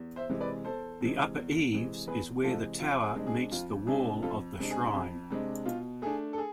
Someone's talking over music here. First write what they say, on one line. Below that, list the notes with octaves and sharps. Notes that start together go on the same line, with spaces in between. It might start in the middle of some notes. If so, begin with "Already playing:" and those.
The upper eaves is where the tower meets the wall of the shrine.
Already playing: E2
C5 E5
C3 E3 G#3
B4 D5
E2 A4 C5
C3 E3 G#3
E2
C3 E3 G#3
E2 G#4 B4
C3 E3 G#3 F4 A4
F2 F4
G#4
C3 G#3 D4
G#4
F2 F4
C3 G#3 D4 G#4
F2 F4 A4
C3 G#3 D4
G#4
F2
C3 G#3 D4
B2 F4
A3 D4 G#4
A4
G#4